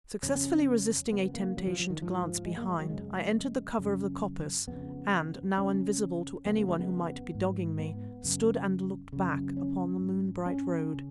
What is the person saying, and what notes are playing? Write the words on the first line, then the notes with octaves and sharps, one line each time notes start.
Successfully resisting a temptation to glance behind, I entered the cover of the coppice, and, now invisible to any one who might be dogging me, stood and looked back upon the moon-bright road.
F2 C#3 C#4
F2 C#3 B3
A#3
F#3
F3
F3
D#3
G#2 F3
F3
G#3
A#3
G#3
F#3
F#2 C#3 G#3
F#2 C#3
F2 C#3 B3
F2 C#3 C#4
F2 C#3 B3
A#3
G#3
B3
G#2
B3
F#2 C#3
F#2 C#3
C#4
G#2
C#4
C#3